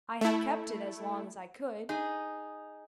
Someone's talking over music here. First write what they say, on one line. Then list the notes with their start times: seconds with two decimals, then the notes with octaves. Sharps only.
I have kept it as long as I could.
0.21 A3 E4
1.89 D#4 G#4